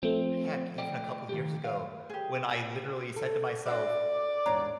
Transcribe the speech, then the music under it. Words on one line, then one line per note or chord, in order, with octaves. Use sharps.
Mm, heck, even a couple years ago, when I literally said to myself,
F3 A3 C4
D5 D#5 G5
D#3 G4
F5
G4 G#4
A4
D4 F#4 D5 E5
E2 G#2 D4 C#5 A#5